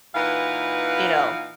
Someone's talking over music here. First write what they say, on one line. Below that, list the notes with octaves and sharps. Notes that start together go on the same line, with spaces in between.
You know?
A#2 E3 D#4 B4 F5 F#5